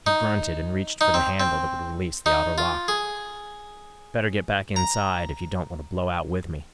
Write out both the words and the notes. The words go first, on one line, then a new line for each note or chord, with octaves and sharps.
He grunted and reached for the handle that would release the outer lock. "Better get back inside if you don't want to blow out with me."
D#4
D#4
C4
C4
D#4
F4
G#4
A#5